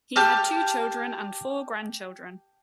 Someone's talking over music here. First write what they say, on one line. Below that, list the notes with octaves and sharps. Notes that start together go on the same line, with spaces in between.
He had two children and four grandchildren.
G4 A5 F6